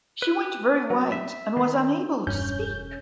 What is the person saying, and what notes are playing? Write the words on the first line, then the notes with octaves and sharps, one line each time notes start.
She went very white, and was unable to speak.
B4
F#3
E5
D#3
E1 G2 C#4 G6